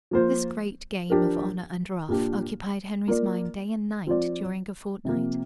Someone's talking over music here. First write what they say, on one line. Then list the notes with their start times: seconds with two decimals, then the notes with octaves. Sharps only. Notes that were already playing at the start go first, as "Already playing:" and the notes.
This great game of "honor and ruff" occupied Henry's mind day and night during a fortnight.
0.11 F3 A#3 F4 C5
1.10 F3 D4 G4 A#4
2.09 A#2 A#3 D4 G4
3.08 A#3 F4 A#4 D5
4.07 F3 C4 F4 D5
5.05 C3 F3 A#3